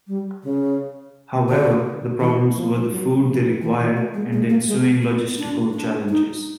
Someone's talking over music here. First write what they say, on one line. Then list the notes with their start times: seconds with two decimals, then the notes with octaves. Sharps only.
However, the problems were the food they required and the ensuing logistical challenges.
0.07 G3
0.43 C#3
1.49 D3
2.20 E3
2.55 F3
2.90 F#3
3.26 F3
3.62 E3
3.79 E3
3.96 A3
4.14 G#3
4.32 G#3
4.50 A#3
4.68 G#3
5.03 B3
5.39 D4
5.74 D4
6.09 D#4